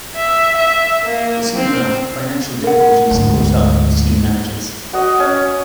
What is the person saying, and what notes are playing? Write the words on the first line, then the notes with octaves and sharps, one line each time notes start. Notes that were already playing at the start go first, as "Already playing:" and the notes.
But soon enough financial difficulties caught up with team managers.
E5
E5
A#3
C4
A#4 F#5
D2 G#2
F#4 D#5
C#4